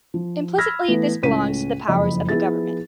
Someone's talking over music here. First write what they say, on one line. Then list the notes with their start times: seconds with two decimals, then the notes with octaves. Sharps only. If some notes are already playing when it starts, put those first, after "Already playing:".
Implicitly this belongs to the powers of the government.
0.14 F3
0.58 B5 E6 F6 G#6 A#6 B6
0.88 E3 A3 B3
1.23 C#2 A2 C#4 B6 D#7
1.88 F#1 F2 D#5 B5
2.29 F3 B3 E4 G#4 A6